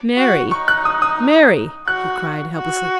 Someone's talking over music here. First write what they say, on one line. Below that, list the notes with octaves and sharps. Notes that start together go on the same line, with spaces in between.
"Mary, Mary!" he cried, helplessly.
F#4
D#4 C#6
F#6
D#6
D#6
F#4 F#6
F#4